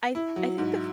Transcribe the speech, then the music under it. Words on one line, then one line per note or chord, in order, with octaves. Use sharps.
I I think the f
E4
F#3
G#2